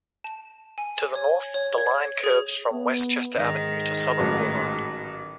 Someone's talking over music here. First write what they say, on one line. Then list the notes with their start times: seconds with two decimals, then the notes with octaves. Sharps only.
To the north, the line curves from Westchester Avenue to Southern Boulevard.
0.24 A5
0.78 G#5
1.16 C#5
1.54 C#5
1.78 G#6
2.24 G#4
2.72 B3
3.37 G#2 D#3
4.18 A1 F#3 B4